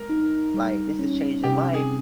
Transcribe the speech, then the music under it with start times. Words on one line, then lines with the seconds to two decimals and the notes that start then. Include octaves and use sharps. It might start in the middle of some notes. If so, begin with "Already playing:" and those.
like, this is changing life,
Already playing: G#3 A#4
0.09 D#4
0.54 G3
0.99 C#4
1.44 C3 G4
1.74 G#4